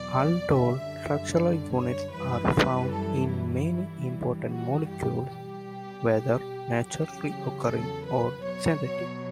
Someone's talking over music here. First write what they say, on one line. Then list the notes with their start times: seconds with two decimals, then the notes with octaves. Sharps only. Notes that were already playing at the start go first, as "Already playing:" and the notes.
Aldol structural units are found in many important molecules, whether naturally occurring or synthetic.
Already playing: E2 B2 F#3 D5
0.56 F#2 D3 G3 E5
1.34 D5
1.74 C#5
2.13 F#2 E3 G3 B4
2.92 A4
3.32 E4
3.71 G2 E3 G3
4.50 F#4
4.90 G4
5.29 B2 G3 G4
6.87 E2 C#3 F#3 G4
7.66 A4
8.06 B4
8.45 B2 F#3 C#5